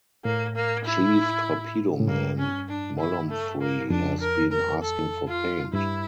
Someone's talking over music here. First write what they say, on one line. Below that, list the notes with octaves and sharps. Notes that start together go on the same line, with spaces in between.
Chief Torpedoman Molumphry has been asking for paint.
A2 A#3
A#3
E4
A2
G2 A#3
C#4
D4
E4
A3
A#3
F2 D4
A#4
A#4
A4
F4
G2 E4